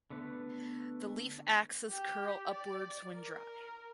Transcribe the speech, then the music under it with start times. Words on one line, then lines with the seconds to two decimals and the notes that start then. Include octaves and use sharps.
The leaf axes curl upwards when dry.
0.10 D3 A3 B3 B4
1.89 G4
2.50 D5
3.16 A#4